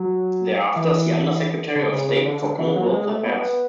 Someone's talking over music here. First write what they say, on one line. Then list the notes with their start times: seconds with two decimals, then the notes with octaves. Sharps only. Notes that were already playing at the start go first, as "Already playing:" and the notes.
Thereafter, see Under-Secretary of State for Commonwealth Affairs.
Already playing: F#3
0.76 E3
1.75 D3
1.92 C#3
2.09 C#3
2.25 D3
2.42 D3
2.58 E3
2.76 F#3
2.92 G#3
3.08 A3
3.25 B3